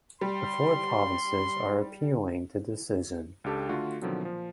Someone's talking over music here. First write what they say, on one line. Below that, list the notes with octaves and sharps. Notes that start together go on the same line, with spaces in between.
The four provinces are appealing the decision.
G3 C6
C#2 D4 G4 A4 A5
D3 A3 F4 F#4
B2 D3 D#3 F3 F#3 C4
A#2 F3